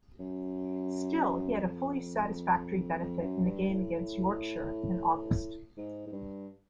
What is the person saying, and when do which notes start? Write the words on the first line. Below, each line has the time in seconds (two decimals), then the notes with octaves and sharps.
Still, he had a fully satisfactory benefit in the game against Yorkshire in August.
0.20 F#2
1.59 F2
2.99 F2
3.22 F#2
3.44 G2
3.69 A2
5.77 G#2
6.07 G#2
6.12 G2